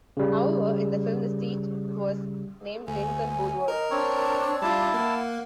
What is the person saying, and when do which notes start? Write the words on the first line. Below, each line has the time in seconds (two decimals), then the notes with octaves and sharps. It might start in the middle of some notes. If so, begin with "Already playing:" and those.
However, in the film, the street was named "Lincoln Boulevard".
0.17 C#3 G3
2.87 D2 G#5
3.68 A#4 D#5
3.91 C4 D4 C#5
4.62 G3 E4 F4 A5
4.94 A#3 F#5